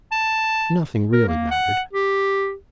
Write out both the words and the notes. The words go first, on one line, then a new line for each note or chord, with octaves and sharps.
Nothing really mattered.
A5
A#4
A#3
F#5
G4